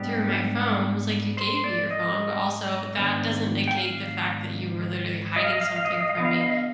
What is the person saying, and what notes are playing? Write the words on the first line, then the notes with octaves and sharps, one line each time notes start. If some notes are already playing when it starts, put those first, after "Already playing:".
through my phone." I was, like, "You gave me your phone, but also that doesn't negate the fact that you were literally hiding something from me."
Already playing: G#2 G3 B3 D4 G4
C5
D5
D#5
G#2 D#3 B3 D4
G5
F5
D#5
F5
D#5
F5
D#5
F5
D#5
F5
D#5
F5
D3 F3 B3 D#5
F5
D#5
F5
D#5
F5